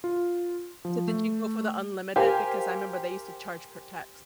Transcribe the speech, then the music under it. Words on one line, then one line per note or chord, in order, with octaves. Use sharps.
So did you go for the unlimited? Because I member they used to charge per text.
F4
F3
A3
G4 A#4 C5 F5 G5 G#5